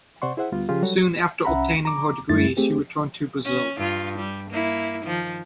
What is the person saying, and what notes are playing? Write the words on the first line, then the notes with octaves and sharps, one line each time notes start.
Soon after obtaining her degree, she returned to Brazil.
C3 C5 D5 F#5 C6 C#6
E4 G#4 C5 E5 F#5
D2 G3 B3 F4
C#3 F3 C#4 F4 G4 G#4
F#3 G3 F#4 A4 C#5
C2 C#4 E5 F#5 A#5 B5
A#5 D6
F#2 G3 A3 E4 A6
A3 C4 G4 G#4
C#4
G2 F4
G3
A#3 E4
D#3 F3